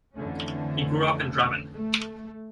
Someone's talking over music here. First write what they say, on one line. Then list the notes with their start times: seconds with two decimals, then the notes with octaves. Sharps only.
He grew up in Drammen.
0.16 F2 D3 E3 A3 C#4
1.73 A3